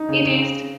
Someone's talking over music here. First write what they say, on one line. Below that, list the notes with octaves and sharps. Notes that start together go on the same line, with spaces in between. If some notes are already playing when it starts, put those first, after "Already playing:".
it is,
Already playing: D#4
C#3
C#3